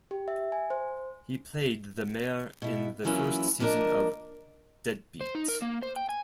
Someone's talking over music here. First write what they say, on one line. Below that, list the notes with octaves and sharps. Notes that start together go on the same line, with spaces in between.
He played the mayor in the first season of "Deadbeat".
G4
E5
G#5
C5
B2 E4
E3 F#3 A#3 C#4 E4 F4
F3 A#3 B3 D4 A#4 D#5
C5
D#4
A#4
A#3
C5
G5
G#5